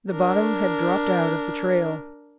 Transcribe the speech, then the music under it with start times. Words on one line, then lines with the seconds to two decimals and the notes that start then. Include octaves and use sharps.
The bottom had dropped out of the trail.
0.13 D4 A#4